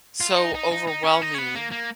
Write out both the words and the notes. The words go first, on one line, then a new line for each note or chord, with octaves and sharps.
so overwhelming
F4
D#4
D#4
D#4
D#4
C#4
D#4
C#4
B3
A#3
A#3